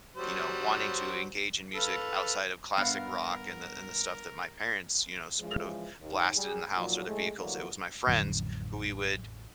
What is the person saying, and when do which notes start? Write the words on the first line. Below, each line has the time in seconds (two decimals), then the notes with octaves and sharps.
you know, wanting to engage in music outside of classic rock and the and the stuff that my parents, you know, sort of blasted in the house or their vehicles, it was my friends who we would
0.16 F#3 G3 C5
1.75 A4 B4 F5
2.77 G2 B3 A#4 F5
5.39 C#3 E3 F3 G#3
6.00 D#2
6.35 G3 G#4
6.75 D#2 A#2 F3 F#3
7.07 A2 G#3 A3
7.38 A2 D3 E3 F#3 G3 A#3
8.07 A1 F2 D3 F#3